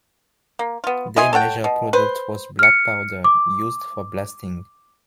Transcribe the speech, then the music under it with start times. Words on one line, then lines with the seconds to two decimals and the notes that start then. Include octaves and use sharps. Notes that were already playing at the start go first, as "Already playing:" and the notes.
Their major product was black powder, used for blasting.
0.59 A#3
0.84 B3 F4
1.16 E4 D#5 G#5 C6
1.33 A4 C#5 F#5 G5
1.64 B2
1.93 B4 C5
2.59 F6 C#7
3.24 D6